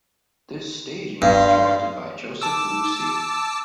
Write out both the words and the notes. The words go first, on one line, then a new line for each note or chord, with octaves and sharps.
This staging was directed by Joseph Losey.
G2 F5 C6
A5 D6 E6